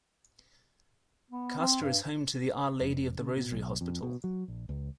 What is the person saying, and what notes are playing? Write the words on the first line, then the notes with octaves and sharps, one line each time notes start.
Castor is home to the Our Lady of the Rosary Hospital.
B3
C4
G2
F1
C#3
B2
B1
F2
B2
F#3
A#1
C#2